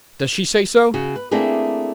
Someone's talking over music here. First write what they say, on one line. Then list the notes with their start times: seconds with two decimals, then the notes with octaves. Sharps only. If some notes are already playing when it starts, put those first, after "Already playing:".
'Does she say so?
0.94 C#3 F#4
1.16 B4
1.31 A3 A#3 C4 D4 E4 G#4